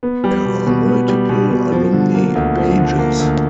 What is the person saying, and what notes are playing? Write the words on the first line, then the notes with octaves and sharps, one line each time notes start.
There are multiple alumni pages.
B3
G3
B2
B2
B3
G3
B2
B2
F3
D3
A#3
D2
F3
D3
A#3
D2